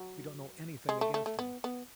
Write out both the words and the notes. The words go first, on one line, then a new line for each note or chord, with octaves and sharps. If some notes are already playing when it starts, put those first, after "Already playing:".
"We don't know anything against him!"
Already playing: F#3
G#3
A3
A3
A3
B3
B3